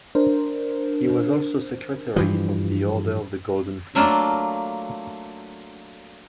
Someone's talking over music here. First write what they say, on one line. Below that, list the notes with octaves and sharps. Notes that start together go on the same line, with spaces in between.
He was also secretary of the Order of the Golden Fleece.
D4 A#4 C5
G2 E3 F3
F#3 A3 A#3 D4 F4